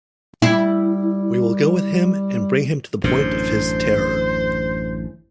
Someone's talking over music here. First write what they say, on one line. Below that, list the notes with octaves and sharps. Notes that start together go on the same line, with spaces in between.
We will go with him and bring him to the point of his terror.
G3 E4
A1 F#2 D3 C5